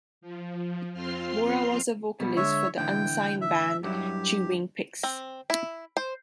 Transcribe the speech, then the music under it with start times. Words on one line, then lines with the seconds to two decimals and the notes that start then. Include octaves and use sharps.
Mora was the vocalist for the unsigned band Chewing Pics.
0.21 F3
0.93 F2 C4 F4 C6 F6 C7
2.20 B2 G3 B3
2.37 D3 G#3 C#5 E5
2.77 A2 D3 E3 G5
3.41 E5
3.83 G2 F#3 E4 G4
5.03 C4
5.50 E4
5.97 C5